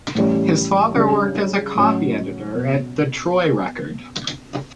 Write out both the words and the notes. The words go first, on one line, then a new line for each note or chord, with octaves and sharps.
His father worked as a copy editor at "The Troy Record".
A2 E3 G3 C#4
C#3 G3 D4
A2 F#3 C#4
B2